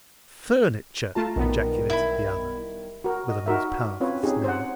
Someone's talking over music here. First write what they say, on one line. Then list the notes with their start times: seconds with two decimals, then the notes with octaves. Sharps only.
"Furniture!" ejaculated the other, with a most powerful sneer.
1.15 A3 F4 A5 A#5
1.36 B1 D#3 G3 B3
1.90 E4 B5
3.04 F#4 A#4
3.29 D#5
3.46 D#4 F#4 A#4 E5
4.00 C4 C#4 F4 B4 C#5
4.23 C4 C#4 D#4 G4 G#4
4.44 C5 F#5